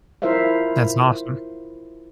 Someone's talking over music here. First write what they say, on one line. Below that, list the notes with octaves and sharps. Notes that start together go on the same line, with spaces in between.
That's awesome.
E4 F4 A#4 C5 E5 F5